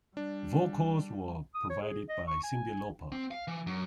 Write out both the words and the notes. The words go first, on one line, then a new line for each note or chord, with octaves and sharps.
Vocals were provided by Cyndi Lauper.
G3 D4
D#6
C#5
G#4
D#5
C#6
G#5
C4
F5
E3
F#2